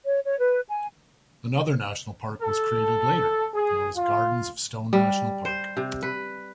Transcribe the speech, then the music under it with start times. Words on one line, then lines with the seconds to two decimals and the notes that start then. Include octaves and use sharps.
Another national park was created later, known as the Gardens of Stone National Park.
0.03 C#5
0.25 C#5
0.39 B4
0.68 G#5
2.41 A4
3.54 G#4
3.96 F4
4.93 G3
5.45 C5
5.77 C3
6.02 B4